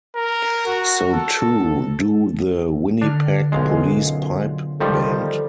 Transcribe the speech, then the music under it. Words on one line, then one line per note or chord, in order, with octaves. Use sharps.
So too do the Winnipeg Police Pipe Band.
A#4
F#4
A4
D3 D4 F6
B1 F#2 G#3 F4
D#3 F3 G3 A4